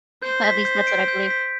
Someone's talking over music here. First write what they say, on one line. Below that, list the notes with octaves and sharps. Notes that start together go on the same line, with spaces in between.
At least, that's what I believe.
C5 G6
B6
G6
D7
G6
B6